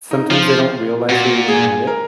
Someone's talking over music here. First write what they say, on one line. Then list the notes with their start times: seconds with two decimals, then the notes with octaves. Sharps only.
sometimes they don't realize they even have it,
0.11 D#4
0.30 F3 F4
1.09 A#2 F#4
1.48 G#4
1.87 A#4